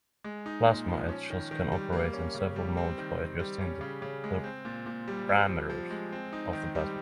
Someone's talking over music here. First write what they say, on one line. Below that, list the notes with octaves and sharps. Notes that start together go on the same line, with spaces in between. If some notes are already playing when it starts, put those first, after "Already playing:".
Plasma etchers can operate in several modes by adjusting the parameters of the plasma.
G#3
D#4
A#2
F3
C#4
D#3
D#3
G3
A#3
C#4
C#3
G3
C4
D#3
D#3
G3
C#4
C#3
C#3
G#3
C4
A#2
A#2
G3
C4
F3
F3
G#3
C4
D#4
D#3
G3